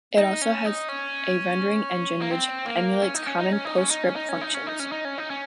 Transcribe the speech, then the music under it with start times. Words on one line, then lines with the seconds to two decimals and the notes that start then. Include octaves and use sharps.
It also has a rendering engine which emulates common PostScript functions.
0.18 D#4
0.42 C#4
0.65 D#4
0.89 C#4
2.22 A#3
2.31 C4
2.66 A#3
3.02 C#4
3.14 D#4
3.27 C#4
3.39 D#4
3.52 C#4
3.65 D#4
3.78 C#4
3.91 D#4
4.04 C#4
4.16 D#4
4.29 C#4
4.41 D#4
4.54 C#4
4.67 D#4
4.80 C#4
4.92 D#4
5.05 C#4
5.18 D#4
5.30 C#4